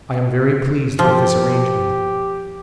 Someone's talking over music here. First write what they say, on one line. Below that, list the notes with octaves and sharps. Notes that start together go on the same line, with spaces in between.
I am very pleased with this arrangement.
F3 G4